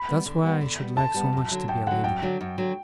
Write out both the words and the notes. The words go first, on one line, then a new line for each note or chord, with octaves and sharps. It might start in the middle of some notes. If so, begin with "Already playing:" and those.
That's why I should like so much to be a lady.
Already playing: B5
G3 B3
D3
G3 B3
D3
G3 B3
D3 A5
G3 B3
F#2
D3 F#3
F#2 G5
D3 F#3 F#5
F#2 G5
D3 F#3
F#2
D3 F#3